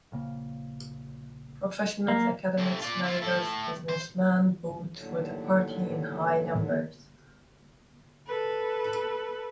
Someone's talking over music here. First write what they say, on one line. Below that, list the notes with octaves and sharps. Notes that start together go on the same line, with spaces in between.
Professionals, academics, managers, businessman vote for the party in high numbers.
A#1 C#3 A#3
F#3 A#3
C3 A3
F4 D5
E4 F4
A2 A4
C5
D#2 A2 D3 F#3
A4 B4